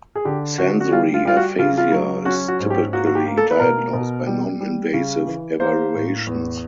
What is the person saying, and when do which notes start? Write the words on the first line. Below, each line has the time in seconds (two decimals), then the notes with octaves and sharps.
Sensory aphasia is typically diagnosed by non-invasive evaluations.
0.15 G#4
0.25 D3 G4
0.58 D3 F#4
0.80 F#4
0.92 G3 F4
1.14 F4
1.25 G3 F4
1.37 F#4
1.59 C#3 F4
1.78 F4
1.92 F#3
2.25 C#4 F#4
2.48 F#4
2.60 G#2
2.70 G4
2.93 A#3 F#4
3.07 F#4
3.15 G4
3.26 A#3
3.37 A4
3.50 B4
3.60 B2 A#4
3.93 B2
4.27 G3
4.61 G3
4.93 C#3
5.27 E3
5.60 A#3 C5
5.94 A2
6.27 E2